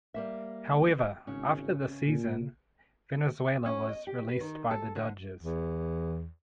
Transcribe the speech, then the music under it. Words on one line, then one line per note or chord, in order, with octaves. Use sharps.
However, after the season, Valenzuela was released by the Dodgers.
G3 A#3 E5
G#1 C#3 C#4
A#2
C#4
D#5
G4
B4
D#3
A4
D3
E2